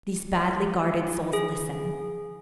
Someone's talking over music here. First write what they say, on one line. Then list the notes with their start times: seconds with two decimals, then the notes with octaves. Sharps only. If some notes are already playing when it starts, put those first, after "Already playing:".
These badly guarded souls listen.
1.33 G#4